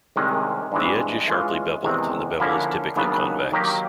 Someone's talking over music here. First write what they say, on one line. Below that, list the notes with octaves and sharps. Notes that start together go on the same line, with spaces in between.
The edge is sharply beveled and the bevel is typically convex.
C2 C3 D#3 G#3 C#4
G2 E3 G#3 C4
E3 G#3 C#4 F4
E2 C3 D#3 G#3 C4
D3 F3 A#3 C#4 E4
D#2 C#3 F#3 B3 D4
D#3 F#3 A#3 D#4 G4